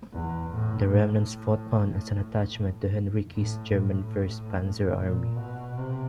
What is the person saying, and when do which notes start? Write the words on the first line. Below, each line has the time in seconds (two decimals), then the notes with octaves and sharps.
The remnants fought on as an attachment to Heinrici's German First Panzer Army.
0.13 E2
0.53 A2
0.94 A2
3.35 A2
3.76 A2
4.97 A#2
5.36 B2
5.78 C3